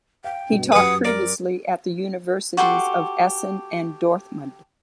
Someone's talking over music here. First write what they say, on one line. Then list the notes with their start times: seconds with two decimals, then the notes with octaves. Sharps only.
He taught previously at the Universities of Essen and Dortmund.
0.24 F5 G5
0.49 G2 B2
0.72 F#2 G4 B4 F#5 D#6
1.05 A#4 D5
2.57 F#4 G4 A4 C6